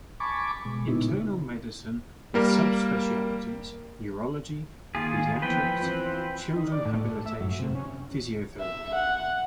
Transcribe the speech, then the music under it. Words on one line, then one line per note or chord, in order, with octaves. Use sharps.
Internal medicine with sub-specialties, Neurology, Pediatrics, Children Habilitation, Physiotherapy.
G#5 A5 B5 C#6 D6
B2 G#3
A#2 C#3 B3 D#4 E4
G3 A#3 A#4
D#3 A#3 F4 G#4
E3 F3 B3 B4 G5
E3 C4 F4
D#4
D5
A2
A3
E5
F#2
C3
C#4
E5
F#5